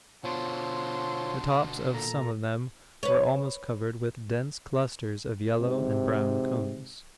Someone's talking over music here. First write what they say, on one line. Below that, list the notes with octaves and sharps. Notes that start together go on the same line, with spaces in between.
The tops of some of them were almost covered with dense clusters of yellow and brown cones.
B2 D3 F4 C5 C#5 A5 C6
A#2 A4 A#5
B4 C#5
G#2 C3